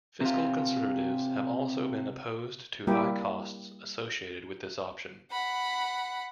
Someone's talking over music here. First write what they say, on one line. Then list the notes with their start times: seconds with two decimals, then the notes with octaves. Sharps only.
Fiscal conservatives have also been opposed to high costs associated with this option.
0.21 C3 F4
2.87 G3 A#3 E4 G4
5.31 F#5 B5